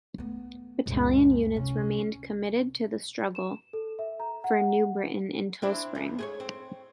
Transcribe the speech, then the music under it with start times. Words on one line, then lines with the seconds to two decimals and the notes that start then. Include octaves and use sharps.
Battalion units remained committed to the struggle for New Britain until Spring.
0.18 A3 B3
0.86 C#2 F#2 A#2
1.56 C3 C#4
3.35 E7
3.73 A4
3.99 E5
4.20 A#5
4.44 F#5
5.62 C4 D4 E4
5.95 F2
6.19 G#4 C5 C#5
6.40 C4